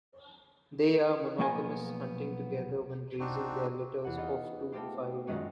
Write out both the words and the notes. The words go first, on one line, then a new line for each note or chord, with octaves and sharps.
They are monogamous, hunting together when raising their litters of two to five young.
B1 F3 A#3 B3 G5 G#5
C4 D4 D#4 F#4
E2 F#5
B3 D#4 F4
A3 B3 C4 F4 G4 C5
F#2 D#3 G#3 C#4 D#4 F#4